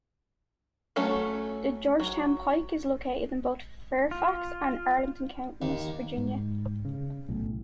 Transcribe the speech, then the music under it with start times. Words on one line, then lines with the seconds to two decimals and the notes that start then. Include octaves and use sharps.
The Georgetown Pike is located in both Fairfax and Arlington Counties, Virginia.
0.96 F#3 A3 C#4 A4
2.00 F#3
4.11 F4
5.62 D#2
6.17 G#2
6.85 C#3
7.29 B1 A2